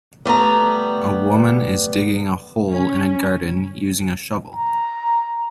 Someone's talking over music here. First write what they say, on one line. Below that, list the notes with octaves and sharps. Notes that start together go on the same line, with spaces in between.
A woman is digging a hole in a garden, using a shovel.
G3 A3 B3 A#5
C#4
A#5